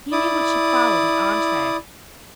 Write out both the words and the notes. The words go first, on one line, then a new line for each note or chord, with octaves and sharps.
He knew what should follow the entree.
E4 D5 D#6